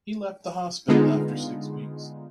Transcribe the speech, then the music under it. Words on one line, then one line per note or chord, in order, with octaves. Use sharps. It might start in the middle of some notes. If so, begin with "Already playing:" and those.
He left the hospital after six weeks.
D3 G#3 B3 D#4 F4